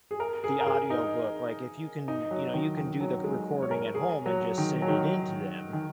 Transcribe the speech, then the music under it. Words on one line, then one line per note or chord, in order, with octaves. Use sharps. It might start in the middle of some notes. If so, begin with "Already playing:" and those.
the audio book, like, if you can, you know, you can do the recording at home and just send it into them.
G#4
A#4
G#4
A#4
G#4
D#4
D#4
F#3
D#3
D#3
F#3
G#3
C#5
A#4
G#4
F#3
D#3
F#3
D#3
D#3